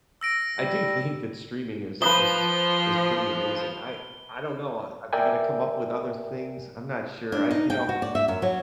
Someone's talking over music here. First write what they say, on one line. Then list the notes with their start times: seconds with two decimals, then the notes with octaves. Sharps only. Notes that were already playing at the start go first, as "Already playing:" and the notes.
I do think that streaming is is is pretty amazing, I I don't know, a are they gonna come up with other things? I'm not sure, I you know
0.21 E6 A#6 D7
0.59 G3
2.02 F3 B4 C5 F5 D#6 G7
5.13 A#4 D5 E5 G5 G#5
7.32 D4
7.51 D#4
7.70 G5
7.89 F#4
8.02 D5
8.15 E5
8.28 F#2
8.42 F#3